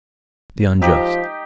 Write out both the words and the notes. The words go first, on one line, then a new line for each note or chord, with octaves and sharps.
The unjust?
F3 D#4 G4 D#5